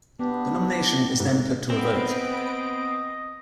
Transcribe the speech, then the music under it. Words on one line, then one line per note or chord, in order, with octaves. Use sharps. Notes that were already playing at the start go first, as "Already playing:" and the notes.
The nomination is then put to a vote.
B3 D4 G4
G#2
B3 C4 B4 D#5 D7